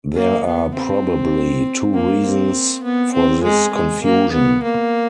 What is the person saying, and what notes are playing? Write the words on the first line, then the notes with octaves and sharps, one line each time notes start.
There are probably two reasons for this confusion.
A#3
B3
C4
A#3
C4
B3
C4
G#3
G#3
A#3
B3
A#3